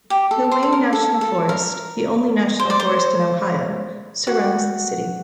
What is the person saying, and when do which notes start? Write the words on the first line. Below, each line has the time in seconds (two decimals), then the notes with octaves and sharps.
The Wayne National Forest, the only national forest in Ohio, surrounds the city.
0.10 G4
0.31 A4
0.52 C5
0.63 A4
0.72 A#4
0.93 A4
1.21 A4
1.49 A#4
2.59 C5
2.70 D5
2.80 C5
4.27 F#4